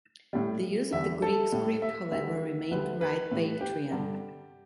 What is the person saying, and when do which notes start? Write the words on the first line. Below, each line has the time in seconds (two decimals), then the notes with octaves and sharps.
The use of the Greek script however remained to write Bactrian.
0.33 A2 G3
0.92 E2 D3 G3 E5
1.22 A4
1.52 A2 G3
1.82 E5
2.12 D2 D3 G3 E5
2.71 D2 D3 G3 B4
3.01 B4
3.32 A2 G3
3.61 G4
3.91 G2 D3 G3